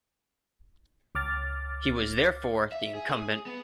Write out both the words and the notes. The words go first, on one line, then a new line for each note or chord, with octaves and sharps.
He was therefore the incumbent.
C#2 D6 F6 A6
E5
G#4
B3